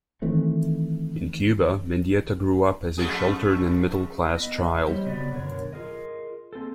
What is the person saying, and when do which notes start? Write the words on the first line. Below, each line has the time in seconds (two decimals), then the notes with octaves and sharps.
In Cuba, Mendieta grew up as a sheltered and a middle class child.
0.22 D#3 E3 A3 C4
2.98 F2 A3 G#4
4.36 B3 E4 D#5
4.84 G3 G4 C5 C#5 D#5
5.06 C#3 B3 F#4 C#5 D5
5.32 F#2 B2 D3 A#4 C#5
5.73 F4 G#4 A#4 D#5
6.53 A#3 C4 G#4 A4